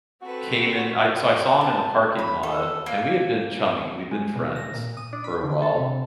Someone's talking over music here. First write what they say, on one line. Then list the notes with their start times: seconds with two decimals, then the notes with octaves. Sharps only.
came in, I so, I saw him in the parking lot, and we had been chummy, we'd been friends for a while,
0.22 C4 F#4 A4 B4
1.61 A5
2.19 B5
2.43 A4
2.86 A#3
4.11 G#3
4.35 B2
4.56 A#6
4.74 A#2
4.97 D#6
5.13 D4
5.24 B5
5.43 D3
5.62 A4
5.78 C3